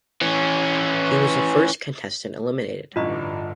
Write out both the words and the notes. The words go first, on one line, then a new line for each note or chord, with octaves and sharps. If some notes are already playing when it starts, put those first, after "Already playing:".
He was the first contestant eliminated.
E3 C#4
A1 G2 D3 F4 D#5 C#6